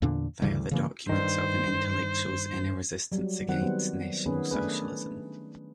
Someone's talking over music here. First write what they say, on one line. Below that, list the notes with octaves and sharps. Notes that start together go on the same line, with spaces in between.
They are the documents of an intellectual's inner resistance against National Socialism.
E2 A#2 D3 D4
D2 C#3 E3 G3
C#3 E3 A#3
G2 D#3 C5
F#3 G3
D#3 F#3 C4 F#5
G3 B3
D#3 B3 C#4 G#4 B4
A3 D4 G#4 B4